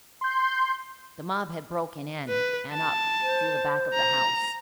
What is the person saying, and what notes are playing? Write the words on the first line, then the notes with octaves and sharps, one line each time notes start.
The mob had broken in, and up, through the back of the house.
C6 G6
B4
A5
C5
A#5